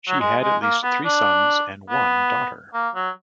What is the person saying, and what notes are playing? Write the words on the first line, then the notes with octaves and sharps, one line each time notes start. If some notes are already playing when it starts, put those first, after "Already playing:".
She had at least three sons and one daughter.
F#3
G#3
G#3
A#3
B3
D4
B3
A#3
F#3